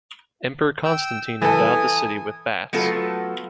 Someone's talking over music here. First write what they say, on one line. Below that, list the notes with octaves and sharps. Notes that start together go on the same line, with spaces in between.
Emperor Constantine endowed the city with baths.
G5 E6
E3 A4 G#5 D#6
F#3 A3 B3 F4 A4